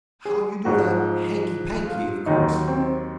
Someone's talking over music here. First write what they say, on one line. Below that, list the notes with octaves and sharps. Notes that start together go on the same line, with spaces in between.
"How you do that hanky-panky, of course."
G#4
G#2 F3 G#3 F#4
F4
D#2 D#3 F#3 D#4
C4